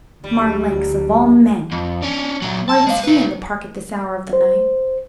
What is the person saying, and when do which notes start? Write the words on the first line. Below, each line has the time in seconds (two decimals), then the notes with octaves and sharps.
Marlanx, of all men! Why was he in the park at this hour of the night?
0.24 D2 F#3 G3
1.72 F2
2.02 C#4 D4
2.42 A#2 F#3
2.69 B1 A5
2.87 G#3 F5
3.04 D#4 B4
4.33 C5